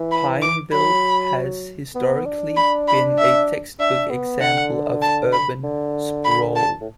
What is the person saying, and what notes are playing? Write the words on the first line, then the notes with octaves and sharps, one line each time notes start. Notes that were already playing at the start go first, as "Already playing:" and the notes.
Pineville has, historically, been a textbook example of urban sprawl.
Already playing: E3
B5
D6
F#3 B5
B3
D4
B5
B5
E5
D4 E5
B3
D3 F#5
A5
B5
D3
B5
A5
A2